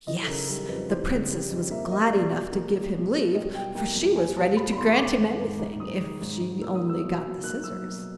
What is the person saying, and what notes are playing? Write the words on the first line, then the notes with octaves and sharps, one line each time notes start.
Yes! the Princess was glad enough to give him leave, for she was ready to grant him anything if she only got the scissors.
E3 D#5
A4
C#3 A#4
G3 A#4
F2 B4
E3 C5
C#3
G3
F2
A#3 E5
G3 D#5
B2 D5
B2
A#3
G3
B2
B2
G3 D#5
B2 G5
A#3 G5
E2
G3 G#5
B2 A5
A#3 B5
B5
E2 C6
C#6
G#3 D6
D#3
G#2
G#2
G#3 D#6
D#3
G#2
G#2
A#3 E6
D#6
F#3
E6
B2
B2
A#3 F#6
F#3 E6
B2